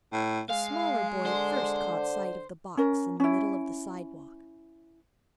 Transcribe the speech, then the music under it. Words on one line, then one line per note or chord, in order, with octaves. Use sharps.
The smaller boy first caught sight of the box in the middle of the sidewalk.
A2
G#3 F5
D3 C5
C#4 A#4
C#4 E4